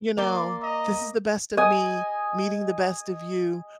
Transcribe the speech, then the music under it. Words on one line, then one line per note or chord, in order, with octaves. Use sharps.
you know, "This is the best of me, meeting the best of you.
A#3 D5 C6
D#5 A#5
D#5 G#5